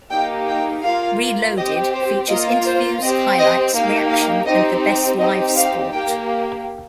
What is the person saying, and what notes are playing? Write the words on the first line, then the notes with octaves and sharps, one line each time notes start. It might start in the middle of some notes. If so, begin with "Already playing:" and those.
Reloaded features interviews, highlights, reaction and the best live sport.
A#3 D#4 G4 G5
G5
A#3 F4 F5
C4 G4 D#5
C5
A#3 F4 D#5
C5
C4 G4 D#5
D#5
A#3 D#4 G4 F5
F5
C4 D#4 G4 D#5
C5
C4 D#4 G4 D#5
F5
A#3 G4 G5